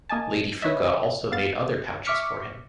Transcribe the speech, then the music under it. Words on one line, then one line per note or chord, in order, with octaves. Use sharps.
Lady Fuca also made other pouches for him.
A#3 D#5 G#5 A5
B4 C#5 D#5 E5
B3 F5 A6
E5 C#6 D6 F6 B6 C#7